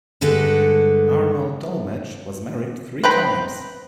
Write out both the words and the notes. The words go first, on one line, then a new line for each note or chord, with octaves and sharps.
Arnold Dolmetsch was married three times.
G2 D3 G#3 A4 B4 F#5
B4 C5 G5 A#5 B5